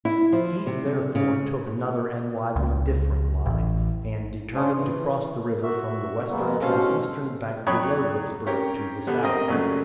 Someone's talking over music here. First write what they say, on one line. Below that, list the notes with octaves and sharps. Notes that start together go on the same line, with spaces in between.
He, therefore, took another and widely different line, and determined to cross the river from the western to the eastern bank below Vicksburg, to the south.
E4
F3
C3
C#3
C#2
A1
C#4 D4 F4 C5
E3
F#4 E5
F2 G#3 A#3 B3
G2 B2 C#4 A4 C5 F5
F2 F#3 C#5 G5 B5 D#6
C4 C#4 G4 A#4 C5 C#5
D3 G3 B3
C4 G4 A#4 D#5
F#2 A#2 C#3 F#3 A3